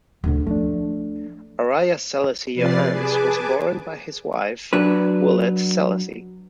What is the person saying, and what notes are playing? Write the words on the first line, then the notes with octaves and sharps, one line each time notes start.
Araya Selassie Yohannes was born by his wife Wolete Selassie.
D2 C#3
F3 A3 D4
C3 F3 B4 D5 A6 C7
G#4 B4 G#5 A5 D6
F#3 D4 B4